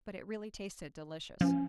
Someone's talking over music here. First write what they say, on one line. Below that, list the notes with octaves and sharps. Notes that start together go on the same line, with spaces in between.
But it really tasted delicious.
F3 C#4